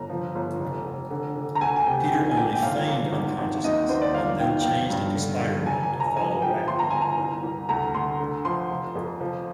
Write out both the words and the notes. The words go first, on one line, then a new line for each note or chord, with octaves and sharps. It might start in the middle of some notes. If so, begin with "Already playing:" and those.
Peter only feigned unconsciousness and then changed into Spider-Man to follow Rattler.
Already playing: G1 A#5
F3
G1
F1
F1
D3
D3
A#5
D2 G#5
G#5
C3 G5
G5
D#3 G#5
G#5
A#1 G5
G5
G1 F5
G1
G#1
G#1
D#2 D#5
D#2 C5
D5
G1 F5
D#3 G5
F5
F3 G5
G2
D3
D3
F1 G#5
G#5
F1
A#5
F3 G#5
F3 G5
G1 C6
A#5
G1 G#5
A#5
C2
C2
D2 A#5
D2 C6
D3
F3 C6
F1
F2
F3